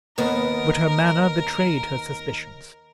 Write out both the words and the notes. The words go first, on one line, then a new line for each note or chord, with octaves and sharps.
But her manner betrayed her suspicions.
D#2 B3 A#4